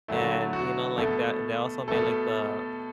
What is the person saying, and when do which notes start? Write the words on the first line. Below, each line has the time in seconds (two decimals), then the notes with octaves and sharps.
And you know, like that they also made like the
0.08 D3 F#3 A3 E4
0.53 F#4
0.98 B2 A3 A4
1.88 B2 A3 A4